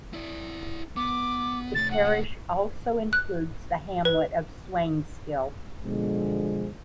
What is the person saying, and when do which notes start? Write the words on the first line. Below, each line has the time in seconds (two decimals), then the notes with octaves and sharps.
The parish also includes the hamlet of Swainshill.
0.13 E4 D5
0.96 B3 D6
1.75 C3 A3 A6
1.91 F#5
3.13 F#6
4.05 B4
5.85 B2 D3 F3 G#3